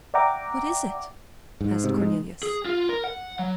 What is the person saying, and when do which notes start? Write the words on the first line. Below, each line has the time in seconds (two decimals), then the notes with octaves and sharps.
"What is it?" asked Cornelius.
0.14 D5 E5 F#5 G5 A#5 D6
1.61 G#2
1.84 C3
1.96 G#3 D#4
2.43 G#4
2.66 F4
2.89 A#4
3.04 F#5
3.39 F#3